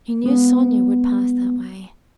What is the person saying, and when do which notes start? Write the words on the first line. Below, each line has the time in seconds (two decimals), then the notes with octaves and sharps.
He knew Sonya would pass that way.
0.24 G#3 B3